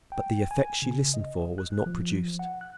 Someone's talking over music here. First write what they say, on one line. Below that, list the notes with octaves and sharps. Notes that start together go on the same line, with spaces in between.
But the effect she listened for was not produced.
G5
G#5
C#3
D#5
F#6
F3
F#5
F#6